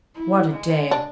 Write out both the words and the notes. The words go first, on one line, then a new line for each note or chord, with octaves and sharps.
What a day!
E4
G#3
D4